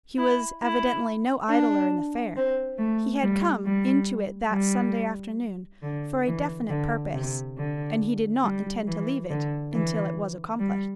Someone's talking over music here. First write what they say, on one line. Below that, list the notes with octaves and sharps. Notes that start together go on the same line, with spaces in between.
He was evidently no idler in the fair; he had come into it that Sunday afternoon for a definite purpose, and he did not intend to leave it until it was accomplished.
E4
E4
D4
C4
A3
G3
G3
G3
D3
E3
D3
C3
D3
G3
E3
D3
E3
G3